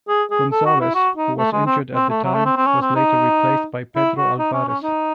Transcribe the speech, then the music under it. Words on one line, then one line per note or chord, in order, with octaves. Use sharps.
Gonzalez, who was injured at the time, was later replaced by Pedro Alvarez.
G#4
G#4
A4
F#4
E4
F#4
D#4
A3
G#3
C4
C4
A3
F#3
A3
C4
C4
C#4
C4
D#4
E4
F#4
D#4
C#4
C#4
D#4